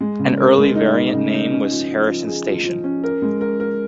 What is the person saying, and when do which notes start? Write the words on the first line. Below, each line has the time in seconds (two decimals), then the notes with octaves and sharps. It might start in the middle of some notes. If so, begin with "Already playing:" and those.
An early variant name was Harrison Station.
0.01 G#3
0.19 C#3
0.38 A#4
0.57 G#3
0.75 D#4
0.94 D#4
1.13 C#3
1.33 D#4
1.51 C#4
1.71 F3
1.90 F3
2.09 F3
2.27 G#4
2.46 F3
2.65 F3
2.84 C#4
3.04 A#4
3.22 G#3
3.41 A#4
3.60 A#4